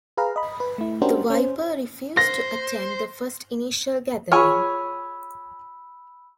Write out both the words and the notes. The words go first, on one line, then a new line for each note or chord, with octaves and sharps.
The Viper refused to attend the first initial gathering.
G#4 B4 F5 A#5
D#5 B5
B4
A3 E4
C#4 D4 F#4 G4 A#4 C5
C#4 C5
C5 A#6
F4 G#4 C#5 G#5 B5 C#6 E6 F6